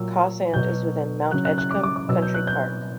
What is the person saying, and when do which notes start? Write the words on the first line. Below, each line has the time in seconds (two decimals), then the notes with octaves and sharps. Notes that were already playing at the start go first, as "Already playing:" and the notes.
Cawsand is within Mount Edgcumbe Country Park.
Already playing: A#2 F#3 E6
0.54 B2 F#3 G6
1.31 C#3 F#3 F#6
1.45 F#6
1.58 F#6
1.71 D6
1.83 D6
1.96 D6
2.09 B2 F#3 E6
2.22 G6
2.34 F#6
2.47 G6